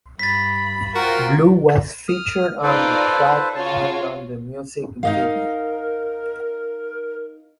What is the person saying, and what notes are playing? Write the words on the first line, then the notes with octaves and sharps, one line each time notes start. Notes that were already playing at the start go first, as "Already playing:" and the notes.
Blue was featured on the track and on the music video.
G2 B5 A6 B6
F4 F#4 A#4 C5 G5
D#6 F6
D#4 F4 A4 B4 C5 D5
C#3 F4 F#4 C#5 A5
D#4 A#4 D#5 F5